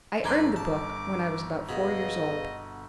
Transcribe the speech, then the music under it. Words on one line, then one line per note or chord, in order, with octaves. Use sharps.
I earned the book when I was about four years old.
G1 A4 B4 D5 A#5 C6 G#6
A5 D6
B2 G#4 B4 D#5 F5